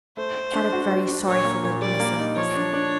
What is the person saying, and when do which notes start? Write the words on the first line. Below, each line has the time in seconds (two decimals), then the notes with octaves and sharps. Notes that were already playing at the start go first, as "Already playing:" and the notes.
"Kadok very sorry for little Missa," he said.
0.17 A3 C5
0.36 A3
0.53 D4
0.73 F#4
0.91 F#4
1.08 D4
1.27 A#2 C#5
1.45 A#3
1.63 A#2
1.81 G3 D5
2.00 A#3
2.19 D#4
2.36 F3 C#5
2.55 D4
2.73 D4